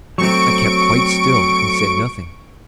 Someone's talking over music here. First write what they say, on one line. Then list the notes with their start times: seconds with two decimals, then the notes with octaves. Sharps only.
I kept quite still and said nothing.
0.18 F#3 A3 C4 C#6 D7